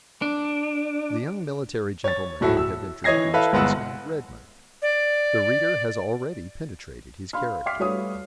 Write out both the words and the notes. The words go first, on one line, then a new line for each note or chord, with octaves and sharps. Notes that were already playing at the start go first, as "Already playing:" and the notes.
The young military gentleman we have introduced was named Redmond. The reader has already penetrated his character.
D4
C#5 A6
D1 A2 F#4 A4 E5
E6
E3 C#5 D#5 G#6 A#6 C7
E4 A4 B4 E5 F5
G1 G#3 B4 F#5 E6
D5
F5 B5 C6 F6
E5 G5 D6 F6 B6 C7
G3 A3 B4 C#5 F5 D#6